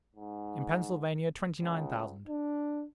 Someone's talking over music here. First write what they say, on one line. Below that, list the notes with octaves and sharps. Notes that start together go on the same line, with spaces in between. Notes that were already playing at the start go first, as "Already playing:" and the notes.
In Pennsylvania, twenty-nine thousand.
G#2
C#2
D4